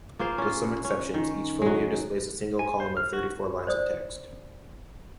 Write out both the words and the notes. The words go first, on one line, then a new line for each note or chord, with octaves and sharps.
With some exceptions, each folio displays a single column of thirty-four lines of text.
A#3 F4 G#4 C5
C#4 F4
C#4
D#3
F#3 G#3
G#5
C5
F6
F#4
C5 D5 D#6